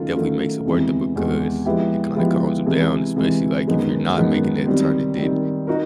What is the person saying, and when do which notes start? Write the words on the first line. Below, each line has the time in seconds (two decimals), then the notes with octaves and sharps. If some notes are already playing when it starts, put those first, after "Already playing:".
definitely makes it worth it because it kinda calms him down, especially like if you're not making that turn and then,
Already playing: D#3 F#3 A3 C#4 F4
0.15 D#3 F#3 A3 C#4 F4
0.65 E2 C3 E3 G#3 C4
1.15 E2 C3 E3 G#3 C4
1.65 F3 G#3 B3 E4 G4
2.16 F3 G#3 B3 E4 G4
2.66 C3 E3 G#3
3.16 C3 E3 G#3
3.67 F#2 D#3 G#3 B3
4.16 F#2 D#3 G#3 B3
4.67 D#3 G3 C4
5.17 D#3 G3 C4
5.67 D#4 F#4 A#4